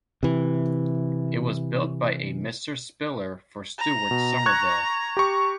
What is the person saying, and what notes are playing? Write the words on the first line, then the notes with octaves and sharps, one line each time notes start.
It was built by a Mr Spiller for Stuart Somerville.
C3 E3
A#5
B2
C#6 F#6 G#6
G4 C#6